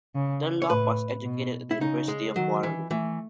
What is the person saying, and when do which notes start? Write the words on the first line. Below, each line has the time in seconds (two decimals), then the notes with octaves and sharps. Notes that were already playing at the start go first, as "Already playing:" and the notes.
Dunlop was educated at the University of Waterloo.
0.15 C#3
0.62 C#5
0.70 A2 B4
1.25 B2
1.71 E4
1.80 C#3 D#4
2.08 G#3
2.36 D#3 F#3
2.63 E3
2.91 E3 A3